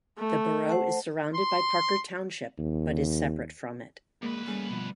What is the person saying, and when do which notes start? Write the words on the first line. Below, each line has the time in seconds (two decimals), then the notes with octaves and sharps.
The borough is surrounded by Parker Township but is separate from it.
0.18 A3
0.69 C5 F#5 A5
1.35 C6
2.58 D#2
4.23 D2 G#3 A#3 B4
4.46 G3 A3 C#4 G#4
4.70 B2 F3